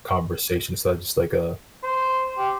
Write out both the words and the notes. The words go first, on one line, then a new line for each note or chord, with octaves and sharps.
conversation, so a just like a
C5
G4